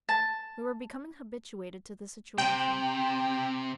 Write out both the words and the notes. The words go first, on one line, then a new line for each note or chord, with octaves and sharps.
We were becoming habituated to the situation.
A5
C3 G5